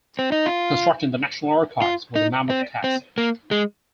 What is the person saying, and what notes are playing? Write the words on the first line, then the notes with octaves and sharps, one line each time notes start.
Constructing the National Archives was a mammoth task.
C4
D#4
F4
F4
D#4
C4
C4
A#3
G#3